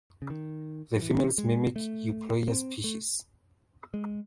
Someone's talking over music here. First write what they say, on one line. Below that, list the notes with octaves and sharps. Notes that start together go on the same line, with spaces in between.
The females mimic "Euploea" species.
C#3
D#3
F#3
E3
G#3
A3
C4
A3
G#3